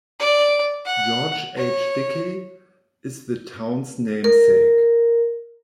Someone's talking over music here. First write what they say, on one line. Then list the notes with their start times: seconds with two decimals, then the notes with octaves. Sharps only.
George H. Dickey is the town's namesake.
0.20 D5
0.85 F#5
1.57 C#5
4.24 A#4